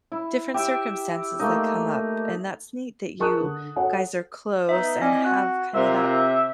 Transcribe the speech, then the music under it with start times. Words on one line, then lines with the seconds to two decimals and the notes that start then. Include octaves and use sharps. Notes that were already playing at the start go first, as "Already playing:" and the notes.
different circumstances that come up, and that's neat that you guys are close and have kinda that
0.12 E4
0.54 G4 E5 G5
1.39 A3 A#3 D#4
3.19 G#4 A#4 A5 C#6 D#6 F#6
3.40 D3
3.76 F#4 A4 C#5 F#5
4.69 B3 D#4 E5
5.01 C4 E4 D5 D#5 G#5 A#6
5.25 F#4 F#6
5.73 C3 F4 A#4 C5 E5